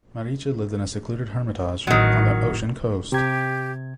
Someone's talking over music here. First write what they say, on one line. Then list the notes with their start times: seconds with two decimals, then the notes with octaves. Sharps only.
Maricha lived in a secluded hermitage on the ocean coast.
1.87 A1 D#3 F#3
3.12 C3 G4 G#6